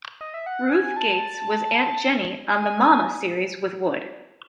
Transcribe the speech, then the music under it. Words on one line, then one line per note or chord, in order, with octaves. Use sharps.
Ruth Gates was Aunt Jenny on the "Mama" series with Wood.
D#5
E5
F#5
F#5
G#5
G#5
A5
A5
G#5